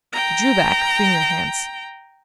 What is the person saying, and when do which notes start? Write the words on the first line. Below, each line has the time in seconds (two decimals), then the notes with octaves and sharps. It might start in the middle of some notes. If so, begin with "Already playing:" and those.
She drew back, freeing her hands.
0.12 G5 A#5